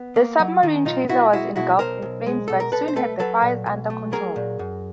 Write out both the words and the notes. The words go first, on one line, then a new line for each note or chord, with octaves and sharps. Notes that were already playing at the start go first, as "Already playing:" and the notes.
The submarine chaser was engulfed in flames, but soon had the fires under control.
Already playing: B3
A#3
F#3
D#3
B1 D#4 F4
B1 E4 F#4
G#3 E4 F#4
B2 E4 F#4
B1 A#4 C5
B1
G#3
B2 A4
A#4
B1 A4 B4
C5
A3 A4 B4
F#3 A4 B4
A#2
B1
A3
F#3 G#4 A#4
A#2
F#2